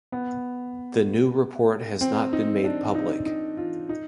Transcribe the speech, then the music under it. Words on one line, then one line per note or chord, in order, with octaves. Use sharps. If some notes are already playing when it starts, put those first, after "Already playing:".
The new report has not been made public.
B3
C4
D#4
D4
D#4
D#4
F4
D#4